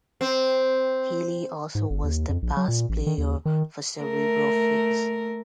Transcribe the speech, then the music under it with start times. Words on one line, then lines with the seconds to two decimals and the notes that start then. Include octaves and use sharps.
Healy also was the bass player for Cerebral Fix.
0.21 C4
1.75 G#2
1.90 G1
2.04 D#2
2.29 F2
2.42 A#1
2.57 F#3
2.68 A#2
2.89 A1
3.06 D#3
3.18 D#2
3.45 D#3
4.01 A3 A#4